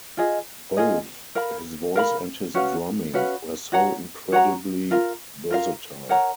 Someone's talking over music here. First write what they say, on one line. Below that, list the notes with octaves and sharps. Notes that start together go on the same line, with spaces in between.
Both his voice and his drumming were so incredibly versatile.
F4 G#4 D#5
F4 G#4 D#5
A#4 F5 B5
A#4 F5 B5
C#4 F#4 B4 F5
C#4 F#4 B4 F5
F#4 C#5 F#5 A#5
F#4 C#5 F#5 A#5
F4 A#4 F5
F4 A#4 F5
A#4 C#5 F#5 A#5